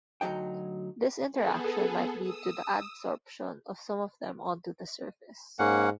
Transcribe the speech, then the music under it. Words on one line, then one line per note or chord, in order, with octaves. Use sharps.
This interaction might lead to the adsorption of some of them onto the surface.
D2 E3 F#3 D#4 G5
B3 G#4 A4
D#6 E6
G#2 A#3 C#4 F#5